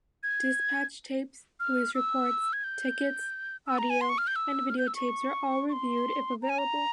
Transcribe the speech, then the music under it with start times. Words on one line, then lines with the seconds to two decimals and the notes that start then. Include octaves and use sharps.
Dispatch tapes, police reports, tickets, audio, and videotapes are all reviewed if available.
0.23 G#6
1.60 F6
1.95 E6
2.53 G#6
2.64 G6
3.67 E6
3.78 A#5
3.90 G#5
4.01 C6
4.09 C#6
4.18 F6
4.27 G6
4.36 E6
4.70 F6
4.78 G6
4.88 E6
4.96 C#6
5.69 C#6
5.73 C6
6.42 A#5
6.49 G#5
6.58 A#5